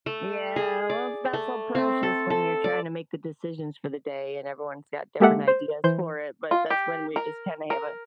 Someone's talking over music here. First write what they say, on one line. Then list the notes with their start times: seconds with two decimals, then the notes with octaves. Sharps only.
Yeah, well, it's not so precious when you're trying to make the decisions for the day, and everyone's got different ideas for it, but that's when we just kinda have a
0.06 A3
0.56 G#4
0.90 D5
1.33 A3
1.75 C4
2.03 A4
2.30 A4
2.64 D5
5.20 G#3 A#3 G4 A4 E5 F#5
5.47 C5
5.84 E3 C5 G6
6.51 F4
6.70 G4
7.16 A#4
7.70 A#4